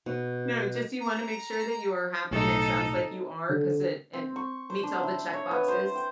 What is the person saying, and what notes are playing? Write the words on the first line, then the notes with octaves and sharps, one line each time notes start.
no, just you wanna make sure that you are happy and it sounds like you are 'cause it it meets all the checkboxes
B2
A#5
B1 A2 D#4 A4 C#5
D3
C4
C#6
C5
D4
E4
C#5
B3
C5
G5